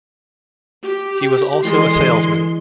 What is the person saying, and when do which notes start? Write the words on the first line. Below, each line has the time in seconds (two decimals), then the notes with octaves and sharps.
He was also a salesman.
0.83 G4
1.64 D3 E3 G#3 C6